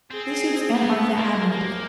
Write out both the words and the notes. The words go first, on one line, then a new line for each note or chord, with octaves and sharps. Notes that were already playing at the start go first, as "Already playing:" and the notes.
This suits Aunt Martha admirably.
C4 G#4
C4
B3
A#3
A#3 G4